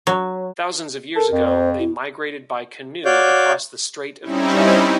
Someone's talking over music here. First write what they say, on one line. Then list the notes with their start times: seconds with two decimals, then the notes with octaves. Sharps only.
Thousands of years ago, they migrated by canoe across the Strait of Magellan.
0.07 F#3
1.16 A4 A#4
1.32 F2
1.46 C5
1.79 E4
3.05 F#4 C#5 D5 F5 D6 G6
4.22 G3 C4 C#4 D#4 E4